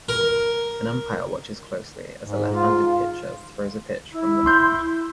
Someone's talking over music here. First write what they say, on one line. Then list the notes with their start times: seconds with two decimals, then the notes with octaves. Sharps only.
An umpire watches closely as a lefthanded pitcher throws a pitch from the mound.
0.09 A#4
2.24 G#2
2.53 F4
4.13 E4
4.46 C6 G6